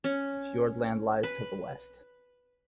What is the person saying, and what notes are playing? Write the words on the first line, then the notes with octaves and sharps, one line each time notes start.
Fiordland lies to the west.
C#4
B4